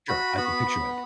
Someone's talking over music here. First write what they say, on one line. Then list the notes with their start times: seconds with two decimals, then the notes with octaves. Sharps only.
Sure, I can picture it.
0.08 F#4 B5
0.38 B3 B5
0.67 B3